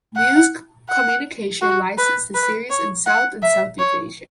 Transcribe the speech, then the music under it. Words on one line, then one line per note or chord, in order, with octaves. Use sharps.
Muse Communication licensed the series in South and Southeast Asia.
F#5
F#5
F#4
B4
B4
C#5
F#5
E5
C#5